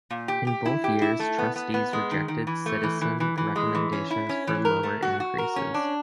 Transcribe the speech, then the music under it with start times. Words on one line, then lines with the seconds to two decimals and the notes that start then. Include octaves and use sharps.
In both years trustees rejected citizen recommendations for lower increases.
0.10 A#2
0.28 G4
0.47 G4
0.66 E4
0.84 G4
1.02 E4
1.20 A3
1.38 B3
1.56 B3
1.74 B3
1.93 G#3
2.11 D#3
2.28 D#3
2.47 E3
2.66 A3
2.83 E3
3.01 E3
3.20 E3
3.38 E3
3.56 G#3
3.75 E3
3.92 C#4
4.11 E4
4.29 C#4
4.47 E3
4.65 A#4
4.83 A3
5.02 F#4
5.20 F#4
5.38 A#4
5.56 C#4
5.74 D4